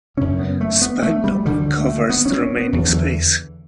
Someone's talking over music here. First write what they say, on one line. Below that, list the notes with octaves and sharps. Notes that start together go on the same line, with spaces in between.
Sphagnum covers the remaining space.
F#2 C#3 C#4
B3
A3
B3
A3
G3
D2 D3 G3
A3
B3
C#4
C#4
B3
E2 D3 F#3
E3